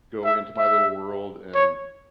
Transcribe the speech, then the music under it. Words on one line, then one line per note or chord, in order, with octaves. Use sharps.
go into my little world and
E5
E5
C#5